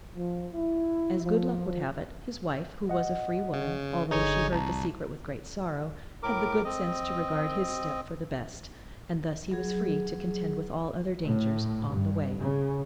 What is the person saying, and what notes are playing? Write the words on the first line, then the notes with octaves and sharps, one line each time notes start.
As good luck would have it, his wife, who was a free woman, although she heard the secret with great sorrow, had the good sense to regard his step for the best, and thus he was free to contend with all other dangers on the way.
F3
E4
F3
D#5 F#5
C#3
G1 D3 D#4 G#4 C#5 G#5
C2 A5 A#5
A2 A#4 D6
C4 D#5
F#3 G#4
A2
G2
C#3